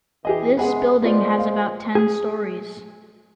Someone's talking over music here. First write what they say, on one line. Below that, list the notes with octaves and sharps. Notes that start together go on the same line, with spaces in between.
This building has about ten storeys.
E3 G4 G#4 D#5
C3 G#3 B3 G#4 F#5
A#2 G#3 B3 F4 C5 D5
F5
G#4